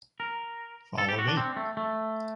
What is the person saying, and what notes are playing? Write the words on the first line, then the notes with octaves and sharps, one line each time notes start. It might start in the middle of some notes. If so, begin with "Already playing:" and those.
Follow me.
A#4
A4
G4
F#4
D4
C4
A3
A3